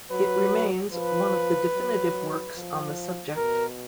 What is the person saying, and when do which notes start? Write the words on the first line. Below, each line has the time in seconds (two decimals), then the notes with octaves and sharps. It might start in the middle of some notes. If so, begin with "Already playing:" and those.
It remains one of the definitive works on the subject.
0.11 F#3 B4
0.93 F3 B4
1.75 F#3
2.56 F3
3.36 B2 A#4